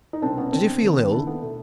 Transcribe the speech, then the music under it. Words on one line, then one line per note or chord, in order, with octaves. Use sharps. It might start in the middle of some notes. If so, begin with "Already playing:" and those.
"Did you feel ill?"
D#4
C2 B2 C4 D4
B3 C#4
C4 D4
D#2 D#3
D4 E4
A3 B3
B2 A3